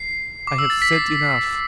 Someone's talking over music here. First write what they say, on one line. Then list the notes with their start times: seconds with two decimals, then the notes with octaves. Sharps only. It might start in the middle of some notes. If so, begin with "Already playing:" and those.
I have said enough.
Already playing: C7
0.47 D6
0.58 E6
0.70 A6
0.82 B6
0.93 C7